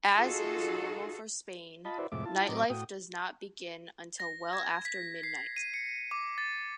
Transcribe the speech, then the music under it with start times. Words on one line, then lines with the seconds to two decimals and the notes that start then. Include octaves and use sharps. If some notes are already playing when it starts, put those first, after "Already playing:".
As is normal for Spain, nightlife does not begin until well after midnight.
0.15 D#4 F4 F#4 G#4 A4
1.85 F4 D#5 A5 B5
1.98 E4 F#4 B4 C5 D5 E5
2.12 F2 A2 C3 G#3 E5 D6
2.25 E4 F4 A5
2.48 A2 F#3 C4 D#5 A#5 D6
2.70 A2 F#4 G5 D#6
4.20 A#6
4.53 G#6
4.85 B6
5.23 C7
5.56 D#7
5.74 C#7
6.11 D6
6.38 A6